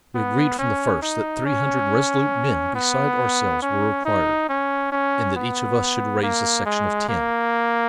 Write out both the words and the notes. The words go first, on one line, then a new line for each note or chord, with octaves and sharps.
We agreed from the first that three hundred resolute men besides ourselves were required, and that each of us should raise a section of ten.
B3
C#4
D#4
C#4
B3
C#4
D#4
C#4
C#4
B3
A#3
G#3
A#3